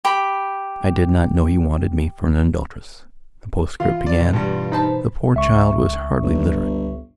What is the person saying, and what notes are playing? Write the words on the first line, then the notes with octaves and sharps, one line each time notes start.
"I did not know you wanted me for an adulteress," the postscript began. The poor child was hardly literate.
G4 B5
E3 F4 F5
D5
B2
G2 G3
D#4 C5 A5 B5
C#2 E5 C#6
G1